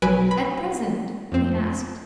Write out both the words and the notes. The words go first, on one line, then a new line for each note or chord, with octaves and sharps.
"At present?" he asked.
B1 F#3 B4 G#5 D7
B5
F2 C4